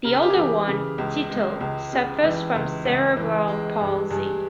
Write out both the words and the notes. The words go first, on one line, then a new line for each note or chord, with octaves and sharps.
The older one, Tito, suffers from cerebral palsy.
C#3 A#4
G#4
G4
G#4
E3
C#3
C#2
G#3
C#2
C#3
E3
C#2
C#2
E3
G#3
G2
G2 G#4